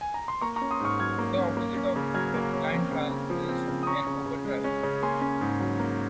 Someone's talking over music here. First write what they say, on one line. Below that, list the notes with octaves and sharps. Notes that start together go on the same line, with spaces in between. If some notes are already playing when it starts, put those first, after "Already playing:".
The opposite of a blind trial is an open trial.
G#5
A#5
C6
A#3 A#5 C#6
A#5 C#6
C#4
C6 D#6
G#2 C#6 F6
F#3 F6 G#6
A#3
C#4
A#3
C#4
C#3
F#3 F6 G#6
A#3
C#4
C4
C#3
C#3
F3
C4
C#3
D#6
C#4 A#5 C#6
C#3
C#3
G#3
C#4
C#3
A#3 G#5 C6
C#4
G#2
F#3
A#3